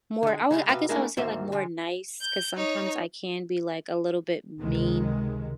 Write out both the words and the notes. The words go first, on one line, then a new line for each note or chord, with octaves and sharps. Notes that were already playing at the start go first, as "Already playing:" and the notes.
more I would, I guess I would say, like, more nice 'cause sometimes I can be, like, a little bit mean,
D3 G#3
C#3 F3 G3 G#3
C3 D#3 F#3 B4 F5
A3 A#3 D4 E4 G#4 A#4
D2 G#2 D#3 A#3 C5 E5
D3 G#3
G6
D#4 C#5
C#2 C3 D#3 G#3